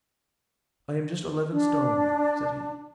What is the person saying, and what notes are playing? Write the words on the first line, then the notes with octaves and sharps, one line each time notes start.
"I am just eleven stone," said he.
D4